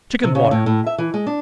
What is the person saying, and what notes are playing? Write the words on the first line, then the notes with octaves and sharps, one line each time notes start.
Chicken Water.
C3
C#3
A2
A2
E5
E3
G#3
D4